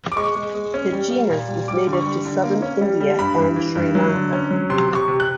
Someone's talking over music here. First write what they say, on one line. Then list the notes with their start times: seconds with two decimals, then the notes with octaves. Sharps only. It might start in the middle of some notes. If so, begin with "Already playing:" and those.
The genus is native to southern India and Sri Lanka.
0.12 D6
0.16 G#3 C#6
0.35 G#3
0.55 G#3
0.74 C#4
0.92 G3
1.11 A#3
1.30 A#2
1.48 G3
1.68 G3 D6
1.87 D3
1.93 C#6
2.06 G3
2.25 D3
2.43 A#3
2.62 C#4
2.81 G3
3.00 G3
3.19 G2 B5
3.38 G2
3.56 E3
3.75 G2
3.95 F#3
4.14 D3
4.33 C#4
4.51 F#3
4.70 C3 C6
4.88 C3
4.95 C#6
5.08 C3
5.20 F#6